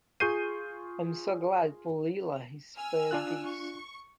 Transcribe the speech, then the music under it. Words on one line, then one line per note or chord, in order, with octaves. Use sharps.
I am so glad poor Lyla is spared this.
F4 G#4 C#6 G6 C7 D#7
G#5 E6 F6
D4 F4 F#6
C#6